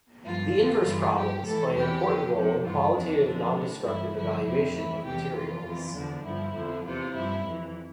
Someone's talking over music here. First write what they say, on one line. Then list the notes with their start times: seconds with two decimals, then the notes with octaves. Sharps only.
The inverse problems play an important role in qualitative nondestructive evaluation of materials.
0.24 G2 F3 F4
0.54 F2 D3 F3
0.84 G2 E3
1.14 G2 F3 G4
1.44 A2 E3 A4
1.74 E2 C3 E3 G4
2.04 F2 D3 F3
2.34 F2 C3 F3
2.64 G2 E3 F4
2.94 F2 E3 D4
3.24 F2 D3 F3
3.54 A2 F3
3.84 G2 E3 E4
4.14 G2 D3 F3 E4
4.43 F2 C3 F3 E4
4.74 A2 E3 E4
5.04 E2 C3 E3 G4
5.34 F2 E3 F4
5.64 F2 E3
5.94 E2 D3 F3 D4
6.24 G2 F3 E4
6.54 F2 D3 F3
6.84 E2 C3 E3 F4
7.14 G2 F3 E4
7.44 F2 E3